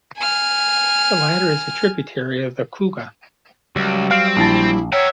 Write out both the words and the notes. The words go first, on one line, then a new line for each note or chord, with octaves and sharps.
The latter is a tributary of the Kouga.
G#5 F6
C#2 F#3 G3
C4 F5
A#1 E4 A5
C#5 E5 F#5 G5 A#5